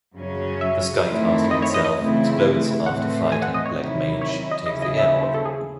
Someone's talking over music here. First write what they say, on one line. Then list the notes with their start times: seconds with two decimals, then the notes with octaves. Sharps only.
The Sky Castle itself explodes after Fighter and Black Mage take the Air Orb.
0.16 F#2 C#3 F#3 C#4
0.61 E5
1.06 F#2 D#3 A3 C4 E4
1.51 D#5
1.62 C#5
1.74 D#5
1.85 D#5
1.96 C#3 E3 A3 C4 E4
2.86 A2 E3 A3 C4 F#5
3.32 G#5
3.42 F#5
3.54 D#5
3.66 C#5
3.77 C3 D#3 F#3 C#4 E4
4.21 C#5
4.51 D#5
4.66 D#2 C#3 F#3 C#4 E4 D#5
4.82 D#5
4.97 E5
5.23 C5
5.34 A4
5.46 G#4